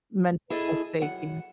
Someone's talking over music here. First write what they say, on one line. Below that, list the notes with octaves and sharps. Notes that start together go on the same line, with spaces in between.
mental health sake here.
E4 G#4 A4 D#5
F#2 F#5